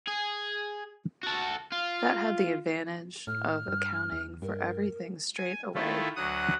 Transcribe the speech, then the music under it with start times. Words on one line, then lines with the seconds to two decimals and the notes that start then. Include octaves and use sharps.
That had the advantage of accounting for everything straight away.
0.07 G#4
1.23 F#4 A4
1.72 F4
3.27 A2 F6
3.68 G2
4.12 E2
4.42 G2 A#4
5.37 G#5
5.74 D#3 A3 E4 F4
6.16 D2 F#3 F#5 D#6